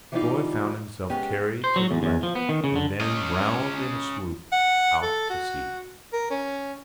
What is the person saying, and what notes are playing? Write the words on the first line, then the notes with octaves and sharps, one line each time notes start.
Troy found himself carried to the left and then round in a swoop out to sea.
E3 F3 G3 B3 D#4 F4
G#3 B3 C#4 G4
C5
F#3
E2
E2
F3
B3
D#3
C#3
D3
C#4 D#5
F#5
A4
F#4
A#4
C#4